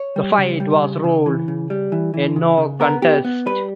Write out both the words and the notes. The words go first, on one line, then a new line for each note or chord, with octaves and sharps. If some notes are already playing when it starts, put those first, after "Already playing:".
The fight was ruled a no contest.
Already playing: C#5
G3
C#3
G3
C#3
C#3
E3
C#3
G3
E3
E3
C#3
C#3
B3 A#4
B3 G4
B3
G3 B4